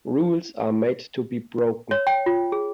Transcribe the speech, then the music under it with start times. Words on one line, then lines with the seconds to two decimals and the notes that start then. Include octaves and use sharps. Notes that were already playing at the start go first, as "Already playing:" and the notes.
Rules are made to be broken.
1.91 C#5
2.07 G5
2.26 F4
2.52 G#4